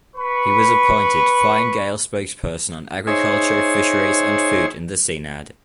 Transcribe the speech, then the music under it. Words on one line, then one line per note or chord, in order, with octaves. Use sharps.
He was appointed Fine Gael spokesperson on Agriculture, Fisheries and Food in the Seanad.
B4 B5 C#6
D#4 G#4 C5 C#5 E5 G#5